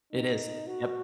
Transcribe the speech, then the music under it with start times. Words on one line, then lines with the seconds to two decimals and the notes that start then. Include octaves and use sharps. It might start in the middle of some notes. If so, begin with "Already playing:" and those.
It is. Yep.
0.13 D#4
0.67 F#4